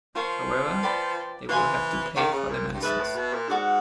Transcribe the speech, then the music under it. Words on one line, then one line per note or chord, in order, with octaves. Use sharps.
However, they will have to pay for their medicines.
F3 F4 A#4 C#5 F5
B4 D5 G5 B5
E3 C5 F5 G#5 C6
D#3 C#5 F5 A5 D6
C#3
A#2
G2
G#2 B4 E5 A5
A2
B2
A#2
G#2 F#4 A4 D5 F#5